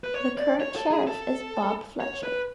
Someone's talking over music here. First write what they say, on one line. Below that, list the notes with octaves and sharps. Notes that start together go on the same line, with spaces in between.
The current sheriff is Bob Fletcher.
B4
C#5
D5
C#5
A4
G#4
A4
C#5
B4